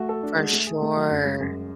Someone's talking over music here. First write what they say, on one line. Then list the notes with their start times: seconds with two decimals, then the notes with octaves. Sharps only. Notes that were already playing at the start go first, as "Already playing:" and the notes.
For sure.
Already playing: A3 F#4
0.09 A4
0.23 D4
0.38 G#3
0.53 A3
0.67 G#4
0.82 A3
0.96 F#3
1.10 F#2
1.25 G#3
1.40 F#2